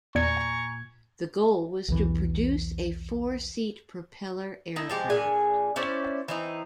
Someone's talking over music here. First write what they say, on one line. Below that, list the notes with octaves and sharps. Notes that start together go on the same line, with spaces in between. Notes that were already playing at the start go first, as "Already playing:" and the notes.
The goal was to produce a four-seat propeller aircraft.
E2 A#2 D5 G#5 A#5 C#6 G#6 C#7
B1 E2 E3
A3 D#4 E4
F3 G#3 G4
A#2 D4 G#4 G#5
C#4 E4 C5 D5
E3 C4 D#4